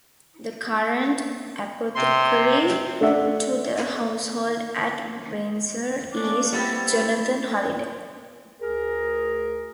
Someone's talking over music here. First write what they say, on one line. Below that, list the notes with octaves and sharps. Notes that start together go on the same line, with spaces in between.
The current Apothecary to the Household at Windsor, is Jonathan Holliday.
C3 C6
A3 D4 D5 E5 F#5
A#3 C#4 D4 D6
G3 B3 C4 E4 A6
D2 G#4 A#4